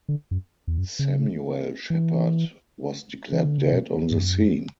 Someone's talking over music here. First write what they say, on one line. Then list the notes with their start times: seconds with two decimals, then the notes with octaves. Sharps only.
Samuel Shepherd was declared dead on the scene.
0.09 D3
0.31 F#2
0.68 E2
0.77 F#2
0.99 C#3
1.90 E3
3.32 E3
3.45 D3
3.58 C#3
3.72 B2
4.12 G#2
4.17 F#2